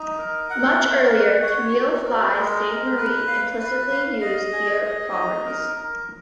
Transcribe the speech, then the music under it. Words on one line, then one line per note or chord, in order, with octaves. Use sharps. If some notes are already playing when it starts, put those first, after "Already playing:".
Much earlier, Camille Flye Sainte-Marie implicitly used their properties.
Already playing: D#4
A#4
F#5
A#4
F#5
C#5
F#4
A#4
G#3
A#4
B4
F5
B4
F5
D#5
G#4
D#5
D#4
A#4
A#4